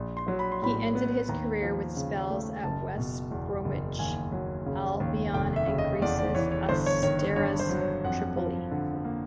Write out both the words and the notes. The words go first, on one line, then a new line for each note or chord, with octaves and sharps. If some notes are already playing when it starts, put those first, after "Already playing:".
He ended his career with spells at West Bromwich Albion and Greece's Asteras Tripoli.
Already playing: A#1
C6
F#3
B5
C6
A2 B5
B3
D#2 A#5
F3
C#3
A3
F#1 A5
B2
E2
F#1
D#2 G#5
F#3
C#3
D#2
F1 G5
E5
C#3
D#5
E2 D5
D5
E3 C#5
C#5
G1 C5
C#5
D#3 C#5
C#5
G2 C#5
C5
F#3
C#5
F2 F#5
F3
D3
A#3